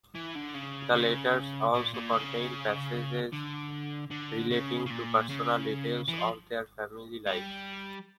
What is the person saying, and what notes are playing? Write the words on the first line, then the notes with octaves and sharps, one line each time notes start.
The letters also contain passages relating to personal details of their family life.
E3
D3
C#3
C#3
A#2
A#2
C#3
D3
D3
C#3
C#3
A#2
C#3
E3
F3
G3